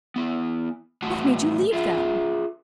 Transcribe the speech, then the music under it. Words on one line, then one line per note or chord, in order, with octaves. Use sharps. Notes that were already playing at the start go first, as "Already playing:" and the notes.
"What made you leave them?"
B3 E4
E2 A2 F#4 F#5 A5
F4 G#4 E5